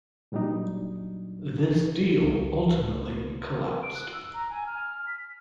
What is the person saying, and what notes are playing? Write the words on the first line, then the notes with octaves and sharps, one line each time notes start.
This deal ultimately collapsed.
A#2 F#3 G3 D4 D#4
C#2
D7
F#6
E6
A#5
G#5
F6
F6
B6